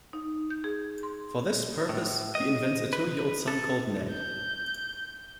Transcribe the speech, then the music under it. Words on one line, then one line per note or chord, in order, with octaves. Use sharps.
For this purpose, he invents a two-year-old son called Ned.
D#4
G6
G#4
C6
A2
D#5
B4
A4
G6